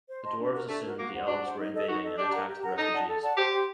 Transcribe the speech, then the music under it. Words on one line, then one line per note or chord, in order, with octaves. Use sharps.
The dwarves assumed the elves were invading and attacked the refugees.
C5
D#5 A5 C6
D4
F#4 A#4
A3 D4
F#4 A#4
A#3 F#4
C5 F#5
D4 F#4
C5 F#5
D#4
A4 D#5
D#4 F#4
A4 D#5
D4 G4
A#4 F#5 A#5
G4
A#4 F#5 A#5
D#4 A4
D5 F#5 A5
A4
D5 F#5 A5
G4 C5
G5 C6